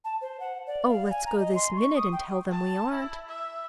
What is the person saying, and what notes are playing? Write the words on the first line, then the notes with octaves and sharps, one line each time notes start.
Oh, let's go this minute and tell them we aren't.'
A5
C5
F#5
D5
F5
G#5
A#5
D#5
C6
C#6
D#6
G5
A5
E4
E5